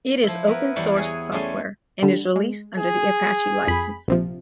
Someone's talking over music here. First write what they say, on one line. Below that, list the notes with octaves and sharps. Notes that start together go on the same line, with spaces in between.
It is open-source software, and is released under the Apache License.
F3 E4
B3 E4 A#4 B4
E2 G3 E4 C#5
G#4 C#5 G#5
G3 A3 C#4 G#5 C6
D3 G3
G#3
G#4
F2 B5
A#1 C3 F3